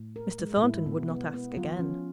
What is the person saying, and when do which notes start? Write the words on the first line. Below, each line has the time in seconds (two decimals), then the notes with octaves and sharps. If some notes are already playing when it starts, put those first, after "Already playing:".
Mr. Thornton would not ask again.
Already playing: A2
0.16 A#4
0.39 G#3
0.57 A#2
0.63 A2 E4
0.75 G#2
0.86 A2 B3
0.99 B2
1.10 B3
1.34 B3
1.57 F#3 F4
1.64 F3
1.72 E3
1.79 F3 C#4